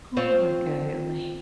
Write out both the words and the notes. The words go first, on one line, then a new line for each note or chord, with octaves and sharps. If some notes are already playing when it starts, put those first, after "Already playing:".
oh my golly,
C4 F4 C#5